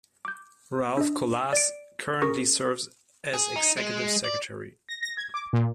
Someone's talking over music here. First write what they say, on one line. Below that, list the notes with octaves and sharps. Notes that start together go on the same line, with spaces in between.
Ralph Colas currently serves as Executive Secretary.
D6 G6
D4 D#5
D5 D7
C#4 G#4 A#4 A#5 C#6 A#6
G#4
D#4
G#3
D5
A#6
A#6
G#6
D6
A#2